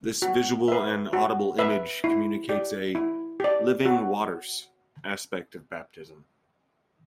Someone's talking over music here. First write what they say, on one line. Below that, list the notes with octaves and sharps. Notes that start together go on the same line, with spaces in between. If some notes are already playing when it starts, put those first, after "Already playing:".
This visual and audible image communicates a "living waters" aspect of baptism.
F#4
B4 E5
F#4
B4 E5
E4
G4 D5
E4
G4 D5
F#4